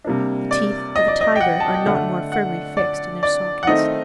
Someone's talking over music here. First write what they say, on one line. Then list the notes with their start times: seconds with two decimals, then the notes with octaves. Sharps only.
The teeth of a tiger are not more firmly fixed in their sockets.
0.04 C3 G3 A#3 D4
0.51 D5
0.96 D#5
1.08 D5
1.21 D#5
1.36 G5
1.40 F#5
1.60 A5
1.74 G5
1.86 D3 A3 D4 F#5
2.32 F#5
2.77 D5
3.23 D5
3.63 F#5
3.67 D#3 A3 C4 D#4 D#5